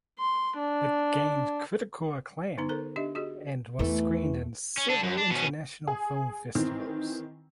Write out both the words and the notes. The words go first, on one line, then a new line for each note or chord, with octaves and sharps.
It gained critical acclaim and was screened in several international film festivals.
C6
D4
D3 B3 D#4 A#5
A4 A#4 C5 A#5
D4 G4 D#5 E5
F#4 G#4 D#5
E2 G#2 E3 A3 A4
C#4
D4 A4
F#2
D4
B2 C#4
G#4
D#3 E3 C4